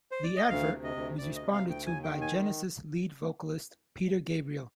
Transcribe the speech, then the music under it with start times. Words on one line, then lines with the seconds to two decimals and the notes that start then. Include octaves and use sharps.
The advert was responded to by Genesis lead vocalist Peter Gabriel.
0.11 C5
0.24 D5
0.36 D#5
0.49 D2 F5
0.73 C3
0.84 D#5
0.96 D2
1.18 D2 D5
1.35 D#5
1.41 C3
1.53 F5
1.65 D2
1.70 G5
1.86 D#2 G#5
2.03 G5
2.09 D#3
2.21 G#5